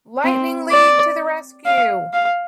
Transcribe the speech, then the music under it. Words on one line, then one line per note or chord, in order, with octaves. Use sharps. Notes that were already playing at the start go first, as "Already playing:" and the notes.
Lightning League to the rescue!
C4
D5
F5
F5